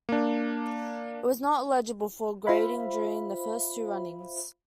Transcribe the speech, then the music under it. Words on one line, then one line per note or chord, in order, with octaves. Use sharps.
It was not eligible for grading during the first two runnings.
A#3 D4
F4 C5 E5 F5 B5